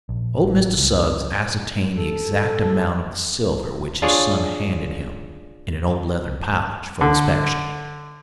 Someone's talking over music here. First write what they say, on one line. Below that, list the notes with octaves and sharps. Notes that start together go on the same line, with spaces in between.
Old Mr. Suggs ascertained the exact amount of the silver which his son handed him, in an old leathern pouch, for inspection.
A#1
A1
C#2
A4
D4 F4 G#4 C#5 D5
D3